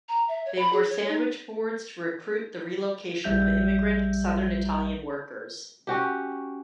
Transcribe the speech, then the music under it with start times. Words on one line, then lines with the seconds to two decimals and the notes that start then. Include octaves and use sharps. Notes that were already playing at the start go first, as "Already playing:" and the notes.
They wore sandwich boards to recruit the relocation of immigrant southern Italian workers.
0.09 A#5
0.28 E5
0.46 C#5
0.59 B5
0.73 G#4
0.89 C#5
1.09 D#4
3.24 A#1 G3 E5 G6
5.87 C#4 F#4 G4